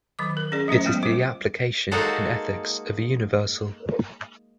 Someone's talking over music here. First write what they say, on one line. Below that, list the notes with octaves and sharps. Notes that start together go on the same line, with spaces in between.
It is the application, in ethics, of a universal.
D#3 F#3 D6
A#4
C#4 G#4 D5
F#3 A3 C#4 C5
F#3 G#3 B3
G3 F4 C5
G#3 A#3 D#4 F#4 A4 C5